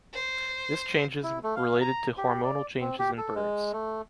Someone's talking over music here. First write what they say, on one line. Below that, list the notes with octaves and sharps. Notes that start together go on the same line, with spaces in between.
This changes related to hormonal changes in birds.
C5
E4
A3
F5
A#5
G4
D5
C4
G4
A4
G#3
A3